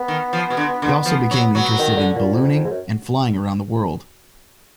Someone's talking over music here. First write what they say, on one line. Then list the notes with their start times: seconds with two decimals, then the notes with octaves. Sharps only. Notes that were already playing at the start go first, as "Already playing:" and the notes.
He also became interested in ballooning, and flying around the world.
Already playing: B3
0.08 D#3
0.33 F3
0.50 B2
0.57 D3
0.82 D3
1.05 F3
1.31 F#3
1.55 F#3
1.79 D#3
1.97 D3
2.15 A#2
2.33 F2
2.51 F2
2.64 G#2
2.70 F#2